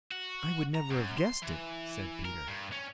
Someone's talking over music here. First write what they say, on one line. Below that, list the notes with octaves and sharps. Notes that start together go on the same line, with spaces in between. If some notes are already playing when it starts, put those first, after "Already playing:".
"I would never have guessed it," said Peter.
F#4
A#5
F#2
C6
E3
A#4
G2
C#4